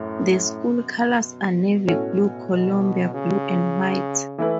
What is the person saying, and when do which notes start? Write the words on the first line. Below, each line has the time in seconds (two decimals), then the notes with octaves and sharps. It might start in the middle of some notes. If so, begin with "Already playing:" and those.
The school colors are navy blue, Columbia blue, and white.
Already playing: F#2 A2
0.62 B2
1.88 A2 A3 C#4 F#4
2.51 B2
3.13 C#3
4.38 E3 A3 E4 B4